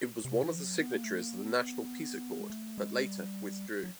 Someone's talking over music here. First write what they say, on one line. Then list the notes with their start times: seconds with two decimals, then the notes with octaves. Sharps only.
It was one of the signatories of the National Peace Accord, but later withdrew.
0.25 C3
0.44 E3
0.56 F3
0.62 F#3
0.81 B3
0.92 A#3
1.04 A3
1.16 A#3
1.38 B3
2.40 G#3
2.50 A3
2.78 G#3
3.06 G3
3.84 F#3